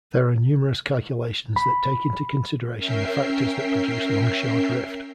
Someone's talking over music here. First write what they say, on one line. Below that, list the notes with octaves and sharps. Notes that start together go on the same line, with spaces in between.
There are numerous calculations that take into consideration the factors that produce longshore drift.
B5
C#4 A#4 E5 G5 C7